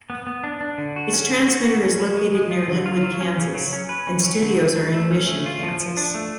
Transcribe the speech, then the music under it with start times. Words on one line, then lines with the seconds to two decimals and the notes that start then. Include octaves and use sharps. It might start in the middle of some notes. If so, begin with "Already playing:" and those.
Its transmitter is located near Linwood, Kansas, and studios are in Mission, Kansas.
0.10 B3
0.27 B3
0.44 D4
0.61 D4
0.78 D3
0.96 F#4
1.13 C#4
1.30 D3
1.48 F#4
1.64 F#4
1.83 C#4
2.00 F#3
2.17 G#3
2.35 G#3
2.51 F4
2.68 D3
2.86 F4
3.03 F#3
3.21 C#4
3.38 C#3
3.54 F#3
3.73 C#4
3.89 B4
4.07 C#4
4.24 F#3
4.42 D3
4.59 A3
4.76 D4
4.94 A3
5.11 C#4
5.27 A3
5.46 F4
5.63 F3
5.80 F3
5.97 D4
6.14 A3